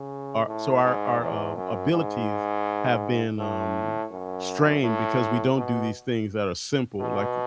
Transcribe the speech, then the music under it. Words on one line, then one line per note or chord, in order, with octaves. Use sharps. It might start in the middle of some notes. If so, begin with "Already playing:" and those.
our so, our our, um, abilities have been, um, strained because we don't do these things that are simple, like
Already playing: C#3
A2
G#2
E2
F#2
G#2
A2
F#2
A2
B2
B2